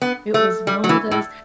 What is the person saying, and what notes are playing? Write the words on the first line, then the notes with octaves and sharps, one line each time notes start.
It was one of those
B3
A3
G3
F#3
E3
A2